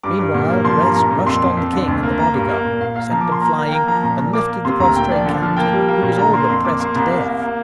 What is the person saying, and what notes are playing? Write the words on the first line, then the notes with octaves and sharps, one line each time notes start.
Meanwhile the rest rushed on the king and the bodyguard, sent them flying, and lifted the prostrate captain, who was all but pressed to death.
G2 D6
G2
A#2
A#3
F3 C6
G2 A#5
A#2 A#5
A#2
F2 C6
F2
F2
D3
D2
A#3
A#3 A#5
G2
A#3
A#2
A#2 F5
A#3 F5
F3 A#5
D6
A#3
C6
A#3 A#5
A#3
G5
A#3 A#5
F3 A#5
A#2 A#5
A#2
A#3 D6
A#3
C3 C6
D2 A#5
A#2 G5
F3 D5
D3
F3
A#3 G5
G3
A#3
A#2
D3 A#5
A#3 C6
F2 C6
A#3 D6
A#3 C6
C2 A#5
A#3 F5
A#3
A#3